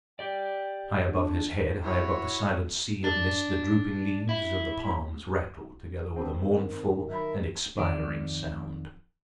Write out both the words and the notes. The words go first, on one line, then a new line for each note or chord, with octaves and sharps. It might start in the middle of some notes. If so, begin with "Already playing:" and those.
High above his head, high above the silent sea of mist the drooping leaves of the palms rattled together with a mournful and expiring sound.
G4 D5 G5
D4
E4 F#4 C#5
D4
E4
B3 C4 D4
D#3
D#3 F#3 A#4 E5 B5
F2 D#3 D5